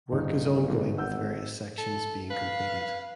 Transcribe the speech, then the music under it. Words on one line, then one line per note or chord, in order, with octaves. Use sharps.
Work is ongoing with various sections being completed.
G1 D#4
B1
G#1 F#5 E6 G6
A4
B4 F5